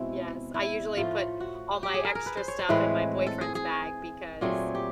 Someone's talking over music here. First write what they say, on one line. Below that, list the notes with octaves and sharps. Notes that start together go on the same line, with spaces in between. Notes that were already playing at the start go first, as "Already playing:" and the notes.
Yes, I usually put all my extra stuff in my boyfriend's bag because
Already playing: B2 G#3 C4 E4
E4
A2 F3 A3 F4
F#4
G4
G#4
A#4
A#4
B4
C5
C#5
C5
A2 E3 G#3 C4 B4
A4
G#4
G#4
A#2 F#3 A3 C4 G#4
G4